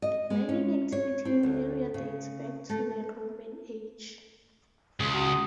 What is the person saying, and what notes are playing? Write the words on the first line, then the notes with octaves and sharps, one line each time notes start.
Mining activity in the area dates back to the Roman age.
D#5
G#3
C#4
C#5
C4
D2
C#3
A3
C#2 G#4
F#4 A5 D#6